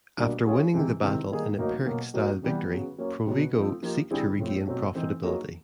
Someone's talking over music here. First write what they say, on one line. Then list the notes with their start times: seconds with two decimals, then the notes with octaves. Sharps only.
After winning the battle in a Pyrrhic style victory, Provigo seek to regain profitability.
0.17 B2 G3 A#3 D4 F#4
0.46 F#3 A3 C#4 F4 G#4
0.74 C3 E3 G#3 C4
1.02 C3 D#3 G#3 C4 E4
1.29 D#3 G3 A#3 D#4 G#4
1.58 A2 F#3 A#3 D#4 F#4
1.86 B2 F#3 A#3
2.14 F#3 A#3 D#4 F#4
2.42 C3 E3 G3 B3
2.70 C#3 F#3 B3
2.98 F#3 A#3 C#4
3.27 B2 F#3 B3
3.55 F3 A3 C4 D#4
3.82 F3 A#3 D#4 G4
4.11 D3 G3 C4 E4 G#4
4.39 A2 F3 A3 C4
4.67 B2 F#3 A3 C4
4.95 E3 A3 C4 D#4
5.23 F#3 A#3 D#4 G#4